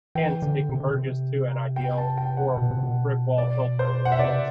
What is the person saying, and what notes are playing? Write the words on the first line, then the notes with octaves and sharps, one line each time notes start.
Hence, it converges to an ideal or brick-wall filter in this case.
E3 G5
D3
C3
D3
C3
G5
A5
G5
F#5
B2
C3
B2
D5
C5
F#5
E5
C3 D5